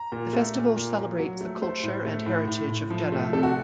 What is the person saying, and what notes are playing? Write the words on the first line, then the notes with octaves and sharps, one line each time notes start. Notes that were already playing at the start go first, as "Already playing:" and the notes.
The festival celebrates the culture and heritage of Jeddah.
Already playing: A#5
A#2
A3
A#2
A#2
A#2
F#3
A3
A3 C5
A2
A3
A2
A2
A2
F3
A3
C3 A4
F#4